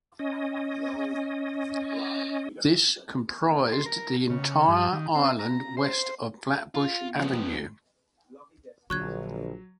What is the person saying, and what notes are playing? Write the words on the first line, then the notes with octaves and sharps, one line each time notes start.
This comprised the entire island west of Flatbush Avenue.
C#4 D#5
C6
A#4
C#3
G2
D#3
C4
A#5
C5
F4
F3 B3
A#1 D3 F#3 C#6 F#6 G#6